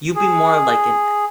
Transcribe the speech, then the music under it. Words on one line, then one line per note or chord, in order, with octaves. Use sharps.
you'll be more like an e
G#4